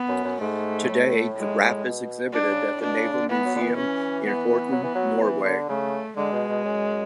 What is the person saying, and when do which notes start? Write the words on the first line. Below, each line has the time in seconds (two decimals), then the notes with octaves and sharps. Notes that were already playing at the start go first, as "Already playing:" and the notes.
Today, the "Rap" is exhibited at the Naval Museum in Horten, Norway.
Already playing: B3
0.09 F#2
0.24 F#2
0.41 G#2 A3
0.89 A2
1.36 G#3
1.85 B2
2.32 B2 D4
2.49 C#3
2.65 A2
2.80 B2 D4
2.97 C#3
3.13 D3
3.29 E3 B3
3.45 F#3
3.56 D3
3.61 E3
3.77 C#4
4.25 B3
4.72 F#3
4.83 E3
4.95 F#3
5.21 E3
5.45 D3
5.69 C#3 A3
6.16 D3 G#3
6.32 B2
6.49 B2
6.65 F#2